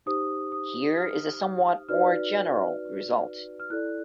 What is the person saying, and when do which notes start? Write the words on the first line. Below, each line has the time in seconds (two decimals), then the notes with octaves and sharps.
Here is a somewhat more general result.
0.06 D#4 G4 C5 D#6
0.52 D#6
0.98 F6
1.88 D#4 F#4 B4 D5 F6
3.60 F6
3.70 E4 A4 D5 F#6